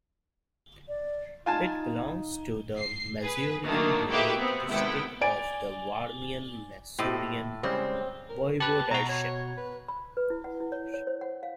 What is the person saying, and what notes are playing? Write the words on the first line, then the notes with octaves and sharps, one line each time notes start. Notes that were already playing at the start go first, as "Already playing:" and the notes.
It belongs to the Masurian Lake District of the Warmian-Masurian Voivodeship.
D5
D#4 F4 G#5 A5
C7
G#4 B4
D#3 F#3 A3 A#3 D4
A#3 F#4 G4 B4 D#5 E5
B3 C4
G#1 C3 B3 E4 G5
D5 G#5 D7
A2 G4 C5 D#5
C#3 G3 G#3 C4
A#4
G4 B4 A5 F#6
B2 F#4 A#5
C#5
B4
B5
B4
E4
F#5
E4
C#5
C#5
C5
F#5
F5